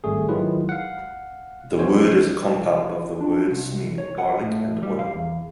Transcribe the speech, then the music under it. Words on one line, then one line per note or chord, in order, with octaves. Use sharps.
The word is a compound of the words meaning "garlic" and "oil".
G#1 G3 A3 G#4
D#3 F#3 G#3 E4 F4 B4
F5 F#5
F3 F#3 B3 C#4 C5 C#5
D4
C2
C#5
F#5
A2
G3
F5
E2